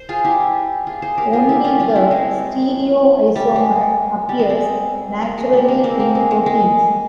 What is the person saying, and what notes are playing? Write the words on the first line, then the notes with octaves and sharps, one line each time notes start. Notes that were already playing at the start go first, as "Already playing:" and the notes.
Only the -stereoisomer appears naturally in proteins.
Already playing: C5
F4 G#4
E4 G4
F4 G#4
G#4 C5
G4 A#4
F4 G#4
E4 G4
C#4 F4
C#4 F4
C4 E4
G#3
G3
G#3
G3
G#3
G#3 C4
A#3
G#3
G3
A#3
G#3 C4
A#3
G#3
G#3
G#3